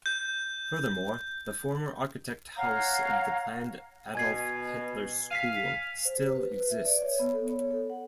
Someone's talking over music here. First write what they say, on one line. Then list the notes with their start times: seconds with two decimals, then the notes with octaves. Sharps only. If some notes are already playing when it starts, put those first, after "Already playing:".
Furthermore, the former architect house of the planned Adolf Hitler School still exists.
0.06 G6
2.56 C#5 F5 F#5 A#5
4.15 B2 G#5 G#6 C7
5.30 F5 B6 C7 D#7
6.05 C5
6.18 G4
6.35 B4
6.52 B4
6.70 E5
6.85 D5
7.02 C#5
7.19 B3
7.33 A4
7.47 C#5
7.71 A4
7.90 F#5